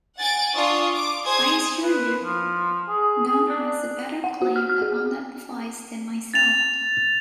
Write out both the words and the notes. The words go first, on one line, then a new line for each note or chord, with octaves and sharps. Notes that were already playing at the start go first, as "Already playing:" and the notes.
I assure you, none has a better claim upon that device than myself.
F#5 G#5 A6 D7
D4 F4 C#6 D#6
D6
G#4 C5 D#6 G#6
B4
F3
G#4
G#4
D4
F#5
F#4
F6
F6
G#4
A6 F7